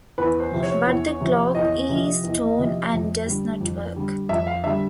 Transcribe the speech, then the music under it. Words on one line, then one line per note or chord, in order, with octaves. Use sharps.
But the cloak is torn and does not work.
E2 B4
C5
C3 F3
C#5
E2
C3 F3
E2 D#5
C3 F3
E2
C3 F3
F2
D3 G3
F2
D3 G3
F2 E5
F5
D3 G3 E5